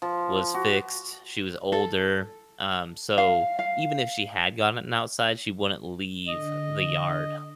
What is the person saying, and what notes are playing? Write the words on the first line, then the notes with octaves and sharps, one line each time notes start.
was fixed. She was older, um, so, even if she had gotten outside, she wouldn't leave the yard.
F3
F#4
A4
F5
F5
D3 D#5